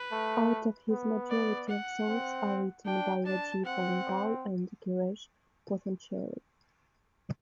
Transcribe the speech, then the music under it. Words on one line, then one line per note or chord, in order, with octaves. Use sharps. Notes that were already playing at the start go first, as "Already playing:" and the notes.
Out of his majority of songs are written by Rajeev Alunkal and Gireesh puthanchery.
Already playing: B4
A3
B3
D5
F#5
C4
D4 G5
D4 A5
C4 F#5